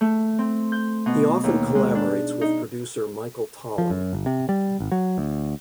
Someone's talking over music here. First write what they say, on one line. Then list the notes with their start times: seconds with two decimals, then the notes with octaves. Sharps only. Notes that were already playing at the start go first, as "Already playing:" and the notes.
He often collaborates with producer Michael Tollin.
0.01 A3
0.39 C4
0.72 G6
1.06 B2
1.44 D#2
1.75 G#3
1.95 D4
2.41 D#4
3.78 F3
3.90 F#2
4.13 G1
4.26 C3
4.49 G3
4.80 G#1
4.92 F#3
5.18 D2